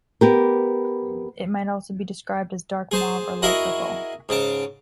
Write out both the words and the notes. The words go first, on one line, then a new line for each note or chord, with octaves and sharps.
It might also be described as dark mauve or light purple.
B3 G4 A#4
G#4 C5 A5
E4 F#4 G#4 A#4 D#5 E5
G#2 C#3 A5 D6